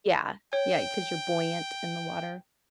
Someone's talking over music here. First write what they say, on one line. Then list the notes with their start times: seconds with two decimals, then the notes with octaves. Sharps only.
Yeah, yeah, 'cause you're buoyant in the water.
0.53 C#5 G5